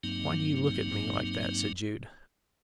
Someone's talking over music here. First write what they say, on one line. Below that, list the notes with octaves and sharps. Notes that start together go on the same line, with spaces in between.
"Why do you look at me like that?" said Jude.
G2 F#3 A#3 C4 D#4